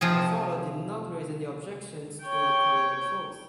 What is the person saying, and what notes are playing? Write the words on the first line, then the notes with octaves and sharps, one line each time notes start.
Her father did not raise any objections to her career choice.
C3 F3 F4 G#4
C#5 G5